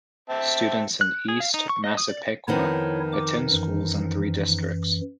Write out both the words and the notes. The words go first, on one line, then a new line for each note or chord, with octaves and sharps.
Students in East Massapequa attend schools in three districts.
C4 E5 A5
F#6
G#4
F5
D#4
C#6
D#5
D#6
D5
F2 D#3 B3 D#4 E4 C#5
D6
F#2 E3